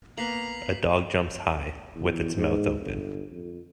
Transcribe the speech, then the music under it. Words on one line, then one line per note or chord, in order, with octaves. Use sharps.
A dog jumps high, with its mouth open.
A#3 B3 A#5 B6 C7 F#7
E2
G#2
G1
F2